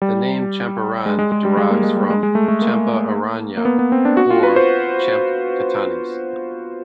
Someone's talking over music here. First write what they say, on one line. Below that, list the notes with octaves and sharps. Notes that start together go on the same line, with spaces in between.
The name Champaran derives from "Champa-aranya" or "Champkatanys".
G3
G#3
G#3
G#3
G3
G#3
A#3
G#3
G3
G#3
G#3
A3
A3
A#3
A#3
B3
B3
C4
D4
F#4
F4
B4
C5